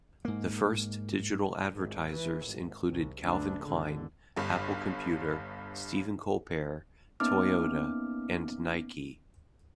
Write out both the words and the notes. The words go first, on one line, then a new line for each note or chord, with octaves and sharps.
The first digital advertisers included Calvin Klein, Apple Computer, Stephen Colbert, Toyota and Nike.
G#2 A#3
G#1
E3
G#1
C2
D2 D4
G#1 D3
G1 G2
A#3 B3 C#4 D#4 D6 F6